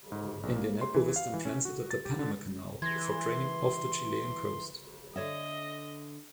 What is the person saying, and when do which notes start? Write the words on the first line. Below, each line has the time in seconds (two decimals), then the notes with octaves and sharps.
"Indianapolis" then transited the Panama Canal for training off the Chilean coast.
0.12 G#2
0.43 A#1
0.56 A#3
0.81 C6
0.94 E3
1.16 F5
1.33 E3
1.45 C#4
1.65 F#4
1.91 A6
2.05 G4
2.19 D3
2.82 E3 C6 G#6 A#6
5.16 D3 C#5 D#5 E5